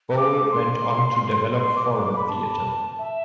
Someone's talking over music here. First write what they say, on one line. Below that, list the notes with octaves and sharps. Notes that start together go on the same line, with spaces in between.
Boal went on to develop forum theater.
D6
C6
C6
D6
D6
D6
B5
A5
E5